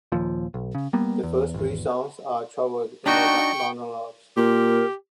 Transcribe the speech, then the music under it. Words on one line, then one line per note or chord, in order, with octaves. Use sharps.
The first three songs are troubled inner monologues.
D#2 A#2 F3
B1
C#3
G3 A#3 B3
E2
G#1 E2
D4 D#4 F#4 G5 C#6
A#2 G4 A#4